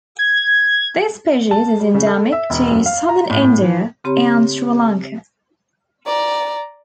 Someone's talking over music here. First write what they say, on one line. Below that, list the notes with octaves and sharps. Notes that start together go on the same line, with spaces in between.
This species is endemic to southern India and Sri Lanka.
G#6
A5
G3
C#3
A4
E5
E1
F#2
F5
A#5
A2
A2
E3
C#3 C4 G4 C#5 A#5 B5
D5 A#5